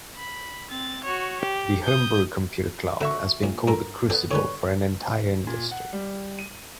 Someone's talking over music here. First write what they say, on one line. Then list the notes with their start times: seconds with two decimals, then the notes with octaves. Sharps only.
The Homebrew Computer Club has been called the crucible for an entire industry.
0.17 B5
0.69 C4 A6
1.04 F#4 C#5
1.41 G4
1.84 D#6 G6
3.01 D3 F#4 E5 C#6
3.43 A#1 A#3
3.67 G2 A4 A#4
4.10 B3 C4 A4 D5
4.31 D3 D#3 G3 B4 C#5
5.47 A#2
5.71 F#5
5.93 G3
6.39 D#7